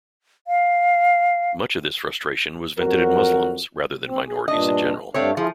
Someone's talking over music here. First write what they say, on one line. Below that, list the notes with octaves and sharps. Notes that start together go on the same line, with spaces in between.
Much of this frustration was vented at Muslims rather than minorities in general.
F5
F2 F#3 F#4 A#4
C4
G#4
G2 A#2 D4 D#5
G2 A3 C4 D4 C#5 F5
F3 E4 F4 G#4